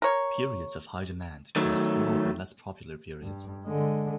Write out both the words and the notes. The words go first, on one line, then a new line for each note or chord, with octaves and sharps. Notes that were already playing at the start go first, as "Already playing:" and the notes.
Periods of high demand cost more than less popular periods.
A#4 C#5
D#3 F#3 A3
G2
D3 G#3